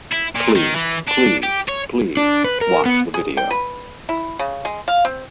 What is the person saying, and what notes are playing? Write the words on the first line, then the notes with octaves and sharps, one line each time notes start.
Please, please, please, watch the video.
E4
A#2
D#3
E3
D4
G4
C#5
D4
B4
A#4
B3
G#4
G5
B4
E4
C#3
G#3
F5
C4